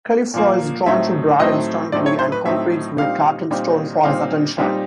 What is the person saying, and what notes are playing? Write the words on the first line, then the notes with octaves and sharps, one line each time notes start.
Kelly feels drawn to Brad instantly, and competes with Captain Stone for his attention.
A#2 F3 A#3
A2 F#3 A3 C4 D#4 E5
A2 F#3 A3 C4 D#4 D#5
A2 F#3 A3 C4 D#4 D5
C#5
C5
B4
A2 F#3 A3 C4 D#4 E5
A#2 G3 C4 D#4 F5
A#2 G3 C4 D#4
A#2 G3 C4 D#4 F5
A#2 G3 C4 D#4